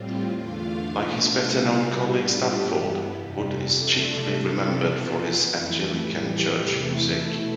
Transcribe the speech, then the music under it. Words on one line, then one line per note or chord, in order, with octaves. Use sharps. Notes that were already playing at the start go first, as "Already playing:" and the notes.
Like his better-known colleague Stanford, Wood is chiefly remembered for his Anglican church music.
Already playing: A2 G3 C4 F4
E2 D3 A3 D4 F4 F5
B2 A3 D4 F4
C3 G3 C4 E4 F5
A2 G3 D4 F4 G4
G2 E3 B3
F2 C3 G3 G4
A4
C3 F3 A3 D4 A4
C3 G3 C4 E4
B2 B3 F4
F2 E3 A3 E4
A2 E3 G3 G4
E2 C3 E3 A3 E4
B2 A3 E4 A4